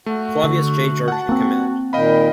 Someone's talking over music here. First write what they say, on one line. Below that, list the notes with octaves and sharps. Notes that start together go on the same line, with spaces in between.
Flavius J. George in command.
A3 F#4
D3
F#5 A5
A#3 C4
A#2 D#3 D#5 F5 G5 B5